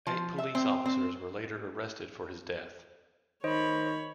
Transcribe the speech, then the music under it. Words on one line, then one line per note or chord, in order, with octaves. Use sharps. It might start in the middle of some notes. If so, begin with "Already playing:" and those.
Eight police officers were later arrested for his death.
F3
E5
C4
C4
D#3 C5 C#5 D#5 B5